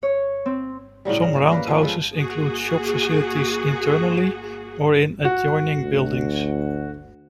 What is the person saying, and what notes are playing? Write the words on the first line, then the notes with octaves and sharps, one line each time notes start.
Some roundhouses include shop facilities internally or in adjoining buildings.
C#5
C4
A2 C#3 F#3 G3
A#4
A#2 A#3 A#4
A#3 B3 A#4 B4
F3 G#3 B3 C#4
G#3 A4 B4
A#3 F#4 G#4
F#4
D2